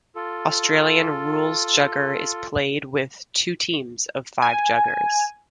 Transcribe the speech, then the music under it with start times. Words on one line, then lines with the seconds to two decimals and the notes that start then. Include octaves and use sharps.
Australian Rules Jugger is played with two teams of five juggers.
0.16 F4 A4
4.42 G#5